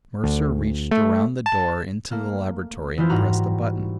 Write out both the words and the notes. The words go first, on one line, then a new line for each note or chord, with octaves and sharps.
Mercer reached around the door into the laboratory and pressed a button.
D2
A3
A5
A3 A#3
E3 G#3 E4 F4 C5
G#2 G3 F#4 A#5